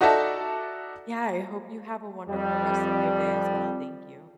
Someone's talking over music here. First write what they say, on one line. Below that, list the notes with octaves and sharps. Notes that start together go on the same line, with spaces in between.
Yeah, I hope you have a wonderful rest of your day as well thank you.
D#4 F#4 A4 D5 E5 A5
F2 G3